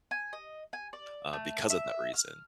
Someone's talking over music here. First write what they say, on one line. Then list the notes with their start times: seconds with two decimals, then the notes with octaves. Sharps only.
uh, because of that reason,
0.11 G#5
0.33 D#5
0.73 G#5
0.93 D5
1.33 A3
1.70 E5
2.14 F6